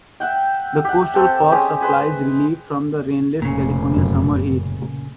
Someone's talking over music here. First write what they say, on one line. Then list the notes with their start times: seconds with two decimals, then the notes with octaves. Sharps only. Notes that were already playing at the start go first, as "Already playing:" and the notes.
The coastal fog supplies relief from the rainless California summer heat.
0.20 E5 F#5 G5
0.85 G4 F#5
1.14 C4 A4 G5 A5
1.52 G#3 C#4 G4
1.81 G#4 B4 C5 C6
3.42 F1 A#2 C#3
3.97 F#2